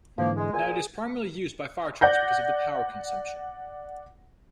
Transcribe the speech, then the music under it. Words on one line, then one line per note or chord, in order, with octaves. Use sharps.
Now it is primarily used by fire trucks because of the power consumption.
G#2 D3 E3 F3 A#3
G#3
A#2 F3 G#4 G#5
D5 F#5 G6 A#6